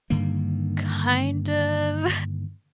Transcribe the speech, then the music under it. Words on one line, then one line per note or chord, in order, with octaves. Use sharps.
Kind of,
G2 D3 D#3 A#3